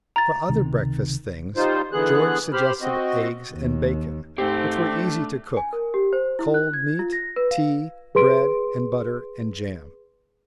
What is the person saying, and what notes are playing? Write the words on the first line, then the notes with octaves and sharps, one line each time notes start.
For other breakfast things, George suggested eggs and bacon, which were easy to cook, cold meat, tea, bread and butter, and jam.
A#5 A6
C#2 C3 D#3
G3 D#4 F4 C5
D3 E3 B3 G#4 F#6
G4 C5 B5 F6
C4 F#4 D#5
D#2
G#2 A3 G4 C5 G5
D4
G#5
A#4
G4
C5
E4
F#6
G#6
F4
A#6
B4
F5
G#4 B4 C6 D7